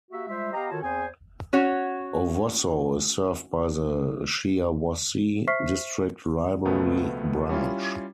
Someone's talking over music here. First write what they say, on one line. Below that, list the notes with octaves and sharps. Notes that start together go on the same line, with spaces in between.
Owosso is served by the Shiawassee District Library branch.
A#3 F#4 G4 E5
G3 G#3 F4 C5 E5
B3 G4 D#5 F5 A#5
D#3 F4 F#4 A4 C#5 A5
E2 C4 G#4 C5 G#5
C#4 F#4 C#5
C5 E5 C#6 F6 B6 C7
C#2 B2 F3 A3 B3
G3 C#4 E4 F4